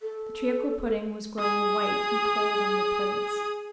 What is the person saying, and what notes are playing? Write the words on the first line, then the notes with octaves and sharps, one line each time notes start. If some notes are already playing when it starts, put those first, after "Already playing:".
The treacle-pudding was growing white and cold on their plates.
A4
G#4 D#6